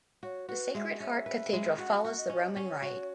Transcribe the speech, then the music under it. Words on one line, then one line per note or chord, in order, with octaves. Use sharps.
The Sacred Heart Cathedral follows the Roman rite.
F#4 C#5
F#4 B4
G#3 E5
C#4 E5
B4
G#3
F#4 F#5
F#5
F#4 E5
D#5
C#4
D#5
C#4 C#5
F#4